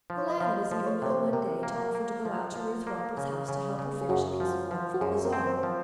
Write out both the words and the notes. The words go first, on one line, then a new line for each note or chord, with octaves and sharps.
The latter was even known one day to offer to go out to Ruth Roberts' house to help her finish a piece of work for the Bazaar.
F3
C#5
D#5
F3 F5
D#5
F3
C#5
C3 C#5
C5
C3 A#4
A#3
A#3
F3
F3
A#3
C#3
C#3
C#3
G#4
F#2 F#4
F3
F3
F#4
F#2 G#4
A#4
C4
C5
F3